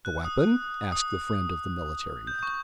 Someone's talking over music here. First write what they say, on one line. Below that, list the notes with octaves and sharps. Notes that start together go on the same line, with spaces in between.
"The weapon?" asked the friend of the military man.
F#6
D#6
D#6
G6
C#6